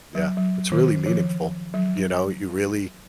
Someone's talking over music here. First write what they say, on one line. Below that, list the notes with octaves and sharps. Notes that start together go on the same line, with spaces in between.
Yeah, it's really meaningful, you know, you really
F#3
F#3
D#3
F3
F#3